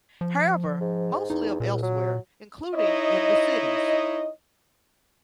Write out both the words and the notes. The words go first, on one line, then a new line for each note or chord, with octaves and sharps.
However, most live elsewhere, including in the cities.
F3
G#2
E2 D#4
C#2 A#2
F#3
D#4 E4 C#5 D#5